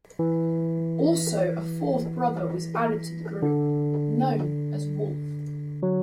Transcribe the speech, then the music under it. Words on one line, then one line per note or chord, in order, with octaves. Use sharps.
Also a fourth brother was added to the group known as Wolf.
E3
D3
F#3